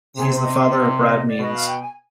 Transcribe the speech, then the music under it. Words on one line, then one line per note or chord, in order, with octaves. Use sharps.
He is the father of Brad Means.
C3 G#4
C5
D#5
G5
F5
D5
D#5
D#5
D5
B2 D#5
F5
G5
G#5